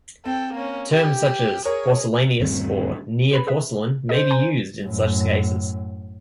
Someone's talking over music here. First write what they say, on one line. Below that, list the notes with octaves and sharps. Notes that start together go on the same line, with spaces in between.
Terms such as "porcellaneous" or "near-porcelain" may be used in such cases.
C4 A4 G5
A#3 C#4
G4
G#4 A#4 C#5
D#1 D2 G2 C4
G4 B4 B5
G#4 B4 E5
G4 A4 C5 D#5
G#5 A#5 C6
F#2 A2